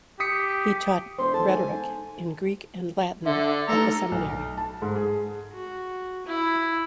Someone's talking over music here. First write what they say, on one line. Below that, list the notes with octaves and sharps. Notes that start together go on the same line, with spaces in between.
He taught rhetoric in Greek and Latin at the seminary.
G4 D#6 B6 C#7
E1 C5 C6
A4 A5
G#2 G#5
D3 E5
A3 D#4 A4 A#5
B1
A5
G#2
G#4
F#4
E4